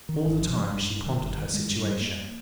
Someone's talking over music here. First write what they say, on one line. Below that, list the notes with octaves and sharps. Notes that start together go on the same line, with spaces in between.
All the time, she pondered her situation.
D#3
G#1
F3
G#3
G2
G2
D#3
G1
D#3
G#3
G2
G3
A#3